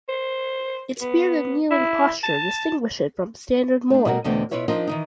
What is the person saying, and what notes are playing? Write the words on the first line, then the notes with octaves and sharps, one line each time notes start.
Its beard and kneeling posture distinguish it from standard moai.
C5
B3
E4
A5
A3 D4
B2 G3 F#4 A#4
E2 B2 D3 E3 A3 C4
B2 E4 F4 B4 C#5 E5
F3 D4 D#4 F4 A#4 D#5
D#3 E3 D#4